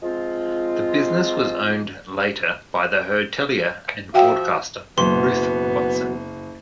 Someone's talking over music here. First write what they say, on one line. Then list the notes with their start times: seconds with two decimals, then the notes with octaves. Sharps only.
The business was owned later by the hotelier and broadcaster Ruth Watson.
0.03 F3 G#3 C4 F4
4.14 F3 F#4 E5 F5 G5
4.98 F#1 B2 F#3 B3 C6